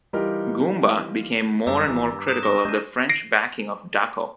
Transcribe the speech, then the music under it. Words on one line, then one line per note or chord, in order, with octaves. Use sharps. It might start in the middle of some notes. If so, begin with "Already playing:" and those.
Goumba became more and more critical of the French backing of Dacko.
E3 G3 D#4 F4 G4 A#4
F#2 G3 D4 A#5 D6 E6
G#1 E3
G2
D#6 F#6 E7
C#6 A#6
G#3 C#4 D4 G6 D#7
A#6 C7 D7